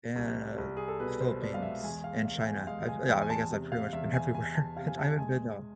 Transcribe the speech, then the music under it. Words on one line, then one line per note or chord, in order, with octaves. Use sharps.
and, Philippines, and China. I've Yeah, I mean, I guess I've pretty much been everywhere. Het I haven't been, um,
C2
C2
G#4
A4
B2 B4
C5
G#3 D5
F5
E5
E2 G#5
F5
E2 F5
G#5
G#3 F5
G#5
E2 G#5
G#5
A5
C3
F5
E2 E5
G#5
E2 G#5
A5
C3 F5
G#5
A5
G#3 G#5